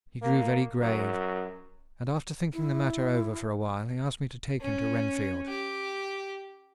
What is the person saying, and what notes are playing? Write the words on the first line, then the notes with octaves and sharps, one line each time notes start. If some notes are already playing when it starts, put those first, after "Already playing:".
He grew very grave; and, after thinking the matter over for a while asked me to take him to Renfield.
A#3
F#2
E4
C#4
G4